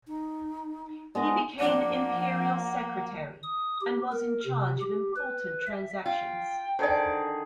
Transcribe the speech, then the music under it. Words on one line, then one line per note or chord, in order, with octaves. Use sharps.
He became imperial secretary and was in charge of important transactions.
D#4
G#3 B3 D4 D#5
F3 A#3 D4 F#5
D#6
G4
A#4
C3
G4
B4
E5
F4 G5
D3 D#3 G#4 C5 D5